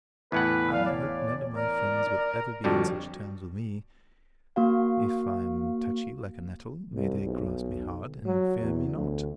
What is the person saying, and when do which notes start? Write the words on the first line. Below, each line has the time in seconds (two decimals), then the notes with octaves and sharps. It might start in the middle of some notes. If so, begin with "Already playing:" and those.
I hope none of my friends will ever be on such terms with me; if I am touchy like a nettle, may they grasp me hard, and fear me not.
0.32 E2 A2 B4 F#5
0.72 D5 F5
0.86 C#5 D5
1.56 A#4 D5
2.64 F2 D3 G3 F#4
4.56 A#3 F#4 F5
6.94 C2
7.24 B1
8.26 F#3
8.61 E2
8.95 D2